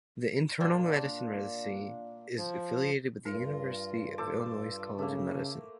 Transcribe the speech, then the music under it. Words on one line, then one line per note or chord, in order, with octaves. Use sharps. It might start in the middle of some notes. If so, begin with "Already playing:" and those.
The internal medicine residency is affiliated with the University of Illinois College of Medicine.
A#2 A#3 D4 G5
F3
G2 F4 A#4
A4 C5 D6
C#3 A3 A#3